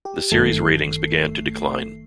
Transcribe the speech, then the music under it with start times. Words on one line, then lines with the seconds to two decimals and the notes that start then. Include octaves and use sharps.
The series' ratings began to decline.
0.05 G4
0.32 G1 F#2 D#3 A3 A4 C7